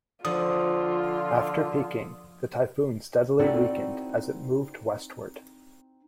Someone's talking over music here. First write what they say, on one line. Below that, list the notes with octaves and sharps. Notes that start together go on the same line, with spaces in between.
After peaking, the typhoon steadily weakened as it moved westward.
D3 F3 F4 D#6
C4 D#4 E4 F#4 A4 D5